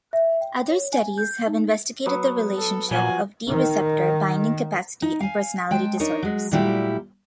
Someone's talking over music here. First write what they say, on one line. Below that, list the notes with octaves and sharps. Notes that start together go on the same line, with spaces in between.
Other studies have investigated the relationship of D receptor binding capacity and personality disorders.
E5
G5
C#5
G#5
G6
D#4
F#3 B3 C#6
A4
A#2 F3 F#4 G#5
D#3
D#4
F5 G#5
G#3 G5 A5
D4 D#4 A#4 C#5
F#3 G#3
A#2 F#3 G3 A3 E4 G4